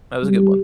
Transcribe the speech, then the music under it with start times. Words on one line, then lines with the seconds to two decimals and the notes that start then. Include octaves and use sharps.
That was a good one.
0.23 G3